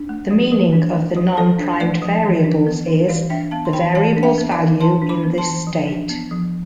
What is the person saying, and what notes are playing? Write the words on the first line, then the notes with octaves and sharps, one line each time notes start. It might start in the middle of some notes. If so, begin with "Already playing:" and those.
The meaning of the non-primed variables is "the variable's value in this state".
Already playing: D4
A3
F3
F3
D4
A3
F3
F3 A4 C5
D4
A3 B4 D5
F3
E3
D4
B3
E3
E3 D5 F5
D4 E5 G5
B3 F5 A5
C6
E3 G5 B5
E3 F5 A5
D4
E5 G5
B3
D5 F5
E3
E3 A5 C6
D4
B5 D6
B3
A5 C6
E3
F3
D4
B3
F3